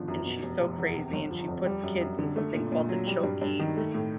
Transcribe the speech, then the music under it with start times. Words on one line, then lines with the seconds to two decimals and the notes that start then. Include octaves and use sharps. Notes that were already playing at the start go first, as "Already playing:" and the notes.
and she's so crazy, and she puts kids in something called the "Chokey,"
Already playing: G#1 B2 D3 F3
0.08 F#2
0.26 B2
0.43 F1
0.61 F1
0.78 E2
0.96 C3
1.13 G1
1.31 F3
1.48 F2
1.66 G3
1.83 F#2
2.01 F#2
2.19 D3
2.36 A3
2.54 A#2
2.72 A#2
2.89 F#3
3.07 G3
3.23 G2
3.41 G2
3.59 D#3
3.77 A3
3.94 A2